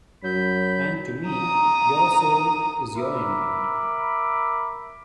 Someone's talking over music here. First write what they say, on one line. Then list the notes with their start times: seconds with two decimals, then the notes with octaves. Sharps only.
And to me, your soul is your intent.
0.23 F#2 F#3 B5 G6
1.27 A#5 D#6
2.95 A#4 E5 B5 D6